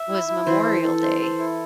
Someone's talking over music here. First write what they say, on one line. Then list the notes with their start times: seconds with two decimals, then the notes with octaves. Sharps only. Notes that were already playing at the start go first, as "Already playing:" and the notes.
was Memorial Day
Already playing: E5
0.09 E4
0.28 E4
0.47 E3 C5
0.65 A4
0.84 A4
1.02 C5
1.21 A4
1.39 E4